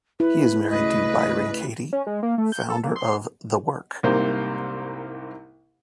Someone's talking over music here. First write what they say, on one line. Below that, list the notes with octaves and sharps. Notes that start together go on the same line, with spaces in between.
He is married to Byron Katie, founder of The Work.
E4 B4
D2 C#3 B4 D#5
C#4
G#3
A#3
A3
G6
A4
A#3
C6
C2 G#2 C3 A#3 C5